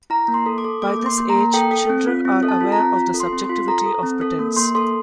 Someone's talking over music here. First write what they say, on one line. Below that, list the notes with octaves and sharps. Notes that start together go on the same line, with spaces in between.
By this age, children are aware of the subjectivity of pretense.
E4 A#5
A#3
C6
A4
D6
A4
A#3 D6
A#3
C6
A#3
A#5
A#3
A4 G5
A4
C4
F4
C4
A4
A5
F4
A#5
C4
F4
A4
C6
C4
C6
F4
A4 A#5
A4
C4
A4
A#3
A#3 C6
A4 C6